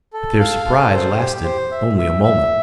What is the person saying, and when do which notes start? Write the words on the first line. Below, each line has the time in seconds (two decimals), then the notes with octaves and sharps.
But their surprise lasted only a moment.
0.13 A4
0.40 F5
0.65 A4
0.93 C5
1.18 G4
1.44 C5
1.71 E5
1.97 E5
2.23 E5